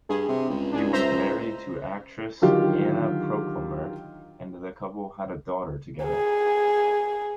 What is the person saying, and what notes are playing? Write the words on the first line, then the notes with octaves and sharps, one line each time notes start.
He was married to actress Anna Proclemer and the couple had a daughter together.
G2 G#4
C3
C#2
D4 G#4
C5 E5 A#5
D3 D#3 F#3 F4 G4
G#4